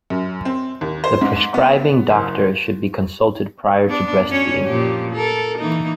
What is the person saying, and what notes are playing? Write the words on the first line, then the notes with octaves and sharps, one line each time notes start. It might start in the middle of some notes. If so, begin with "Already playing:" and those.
The prescribing doctor should be consulted prior to breast-feeding.
F#2
C4
D#2
C5
G#2
B3
F#1
B3 D4
F#2 C#4 C#5
A#2 F3 G4
A4 A#4
E3 A#3 D#4